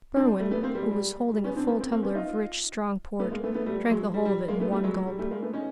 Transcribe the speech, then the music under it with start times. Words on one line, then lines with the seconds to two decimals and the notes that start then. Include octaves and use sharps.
Berwin, who was holding a full tumbler of rich, strong port, drank the whole of it in one gulp.
0.16 C4 D4
0.40 G3 A3
0.51 A3 B3
0.63 A#3 C4
0.75 G3
0.82 G#3
0.91 G3
1.28 G#3
1.34 G3
1.44 B3 C#4
1.57 C4 D4
1.68 B3 C#4
1.80 A#3 C4
1.92 A#3 C4
2.03 B3 C#4
2.15 D#4 F4
3.20 A3 B3
3.31 G#3 A#3
3.43 A3 B3
3.55 A3 B3
3.66 G3 A3
3.90 F#3 G#3
4.14 G3
4.25 G3
4.48 G#3 A#3
4.60 A3 B3
4.72 G3 A3
4.84 F#3 G#3
4.95 F#3
5.07 G3
5.19 G3 A3
5.31 G#3 A#3
5.42 A3 B3
5.54 C#4 D#4